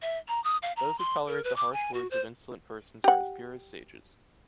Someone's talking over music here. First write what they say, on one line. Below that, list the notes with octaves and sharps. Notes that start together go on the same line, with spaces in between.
Those who tolerate the harsh words of insolent persons are as pure as sages.
E5
A#5
D#6
F5
A#5
C6
A#4
B4
D6
G#5
F#4
C5
G4 F#5